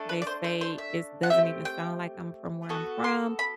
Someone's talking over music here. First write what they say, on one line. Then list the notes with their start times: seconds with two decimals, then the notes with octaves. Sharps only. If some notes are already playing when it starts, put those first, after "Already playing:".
They say it's doesn't even sound like I'm from where I'm from,
Already playing: A3 D4 A4
0.09 B4
0.22 D5
0.27 C5
0.44 C5
0.61 C5
0.78 E5
1.23 F#5
1.30 A3 C4 G4 E5
1.65 G5
2.69 B3 F#4 A4
3.04 C6
3.39 B5